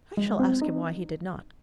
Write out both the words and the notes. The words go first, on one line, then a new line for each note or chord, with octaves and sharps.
I shall ask him why he did not.
G#3
C4
D#4